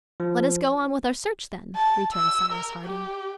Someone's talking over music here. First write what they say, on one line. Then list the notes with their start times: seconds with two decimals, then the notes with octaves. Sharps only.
"Let us go on with our search, then," returned Cyrus Harding.
0.20 F3
1.76 A5
2.13 E6
2.53 A#4
2.85 G4